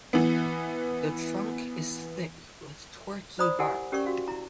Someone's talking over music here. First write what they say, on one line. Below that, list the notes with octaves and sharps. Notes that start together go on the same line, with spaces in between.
The trunk is thick with corky bark.
E3 B3
C5 D5 A#5 B5 D#6
E4 G4 A#4 D5 F#5 G#5
C#4 G4 A#4 D5 C#6
F#4 F5
E4 A#5